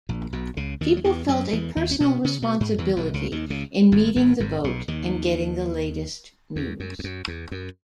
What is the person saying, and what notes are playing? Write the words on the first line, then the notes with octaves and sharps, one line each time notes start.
People felt a personal responsibility in meeting the boat and getting the latest news.
A#1 A#2
B1 B2
C#2 C#3
D#2 D#3
F#3
E2 E3
F#2 F#3
E2 E3
D#2 D#3
C#4
B2 B3
C#3 C#4
B2 B3
G#2 G#3
E2 E3
B1 B2
C#2 C#3
D#2 D#3
C#2 C#3
G#1 G#2
G#1 G#2
G#1 G#2
B1 B2
D#2 D#3
E2
F#2
E2
F#2
E2
F#2